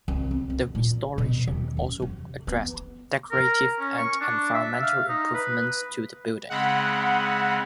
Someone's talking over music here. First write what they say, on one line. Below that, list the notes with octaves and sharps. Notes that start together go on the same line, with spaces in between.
The restoration also addressed decorative and environmental improvements to the building.
C2
C4
D2
A#2
B2
D#2
F#2
C3
B3
A#4
C#4
C#6
D4
E5
F5
D#4
B4
C#3 G#3 C4 F#5 B5